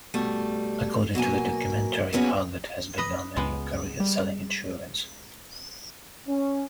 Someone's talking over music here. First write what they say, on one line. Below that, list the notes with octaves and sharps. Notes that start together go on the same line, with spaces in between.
According to the documentary, Haggard has begun a new career selling insurance.
B2 G3 A3
B2 F#3 A#3 G#5
A#2 F#3 B3 C#4 F#4 G#4
B4 D#5
C#2 G#3 B3
G3
C#4